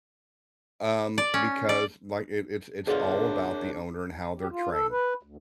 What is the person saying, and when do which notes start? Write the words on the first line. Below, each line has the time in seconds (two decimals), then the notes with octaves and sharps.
Um, because, like, it it's it's all about the owner and how they're trained,
1.18 D5
1.34 C#4
1.69 D5
2.87 B2 D3 D4 F4 G#4 A#4 C#5
4.39 G4
4.51 F4
4.71 A4
4.91 B4
5.23 D2